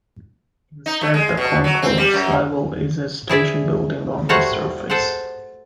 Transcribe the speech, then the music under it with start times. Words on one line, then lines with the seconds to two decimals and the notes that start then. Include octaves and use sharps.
Instead, the concourse level is in a station building on the surface.
0.86 D#4
1.01 A3
1.14 G#3
1.37 B2
1.64 F#3
1.82 C4
1.98 G3
2.14 F#2
3.29 E4 G#4 D5 E5
4.29 G3 A3 F#4 C5 C#5 F#5
4.90 A4 C5 F#5